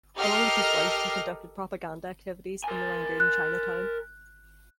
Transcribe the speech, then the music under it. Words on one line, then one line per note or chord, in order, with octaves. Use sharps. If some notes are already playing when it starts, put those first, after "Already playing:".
Along with his wife he conducted propaganda activities in the Rangoon Chinatown.
G4 A4 A#4 D#5 F6 C7
A#4 G#5
F#6